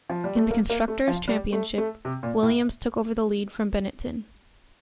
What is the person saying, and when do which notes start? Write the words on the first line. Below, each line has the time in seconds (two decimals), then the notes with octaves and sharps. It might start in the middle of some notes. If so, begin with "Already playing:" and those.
In the Constructor's Championship, Williams took over the lead from Benetton.
0.10 F3
0.24 G3
0.36 A3
0.51 A#3
0.70 A#3
0.88 A3
1.08 F3
1.28 G3
1.53 A3
1.78 A3
2.05 C3
2.23 A#2
2.43 A2